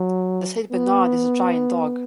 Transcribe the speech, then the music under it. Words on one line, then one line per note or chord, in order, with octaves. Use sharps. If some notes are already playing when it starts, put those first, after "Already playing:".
The Saint Bernard is a giant dog.
Already playing: F#3
B3